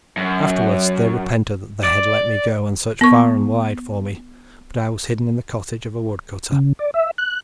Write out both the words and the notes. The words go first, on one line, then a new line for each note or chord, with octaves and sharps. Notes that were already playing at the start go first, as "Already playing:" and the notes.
Afterwards they repented that they had let me go, and searched far and wide for me; but I was hidden in the cottage of a woodcutter.
F#2
D5
B3 C#6
C#3
D5
E5
F#6